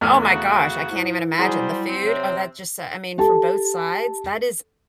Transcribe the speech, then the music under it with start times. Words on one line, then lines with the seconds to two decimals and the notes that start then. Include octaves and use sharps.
Oh my gosh! I can't even imagine, the food? Oh, that just, uh I mean, from both sides, that is
0.01 E2 A3 F6
0.21 C#3 F#4
0.90 G#2 E4
1.38 F#3 G3 G#4 C5
1.88 C4
2.06 C3 C#5
3.18 G4 A4 A5